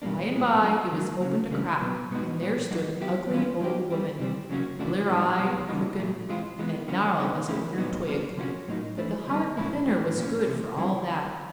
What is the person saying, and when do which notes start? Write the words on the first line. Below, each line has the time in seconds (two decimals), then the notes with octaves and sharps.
By-and-by it was opened a crack, and there stood an ugly old woman, blear-eyed and crooked and gnarled as a winter twig. But the heart within her was good for all that.
0.02 B2 G3 A#3 D4
0.32 A#2 F3 G#3
0.61 F#3 A#3 D4 F#4
0.92 D3 F#3 A#3
1.21 C#3 F#3 A#3
1.51 C#3 E3 G3 B3 D4
1.81 B2 F#3 B3
2.10 B2 G#3 B3 D#4 F#4
2.41 A#2 F#3 B3
2.70 F#3 A#3 D#4 F#4
3.01 F#3 B3 E4 G4
3.30 E3 G3 A#3 C#4 F4
3.60 F#3 A#3 D#4 G4
3.90 E3 G3 C4
4.19 C3 E3 G3 C4
4.49 C#3 F#3 A#3 C#4 F#4
4.79 C#3 E3 A3 D4 F#4
5.09 A#2 G3 B3 D#4 G4
5.40 B2 F#3 B3
5.69 C#3 E3 G3 A#3 D#4
5.99 A#2 F#3 A3
6.29 E3 G#3 C4 F4
6.59 E3 G#3 B3
6.88 D3 F#3 A#3 C#4 F#4
7.18 D3 G3 B3 D#4
7.48 F3 A3 C#4 E4 G4
7.78 A#2 F#3 B3 D#4 F#4
8.07 D3 F#3 A#3 D4
8.38 C3 F3 A#3 C#4 F#4
8.68 A2 F#3 A#3 D#4
8.97 E3 A3 D4
9.27 D3 G3 B3 D#4
9.57 A#2 F3 G#3 C#4 E4
9.87 A2 F3 A3 C4
10.16 A#2 F3 A#3 C#4
10.47 C3 E3 A3
10.77 D3 G3 C4 E4